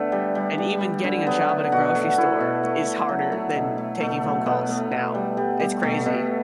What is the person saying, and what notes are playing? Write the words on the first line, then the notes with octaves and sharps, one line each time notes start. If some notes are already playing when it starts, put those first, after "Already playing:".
And even getting a job at a grocery store is harder than taking phone calls now. It's crazy.
Already playing: D3 A3 B3
G3
G3
G3
G3
D3
F#3 B3
A3
B2 F#4
A3
A3 E4
B2
A3
A3
F#3
A3
B2
A3
B2 A3
F#3
B2 B3
A3
B2
G3
G3
G3
B2 A3
B2